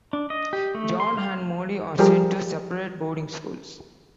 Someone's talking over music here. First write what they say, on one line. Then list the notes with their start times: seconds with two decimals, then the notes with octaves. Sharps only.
John and Molly are sent to separate boarding schools.
0.13 D4
0.30 D#5
0.53 G4
0.75 A3
1.00 C6
1.17 F5
1.99 F3 G3 G4 G#4 A#4